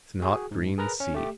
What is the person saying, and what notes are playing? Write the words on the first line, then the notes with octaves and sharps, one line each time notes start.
The snotgreen sea.
F#4 G#4
G#2
G#4 A#4 B4 A#5
C#4
A3 G4